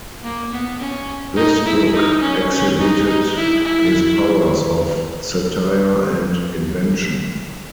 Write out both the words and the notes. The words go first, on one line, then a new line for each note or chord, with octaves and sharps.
This book exhibited his powers of satire and invention.
A#3
B3
C#4
D#4
E4
D#4
C#4
C#4
D#4
D#4
E4
E4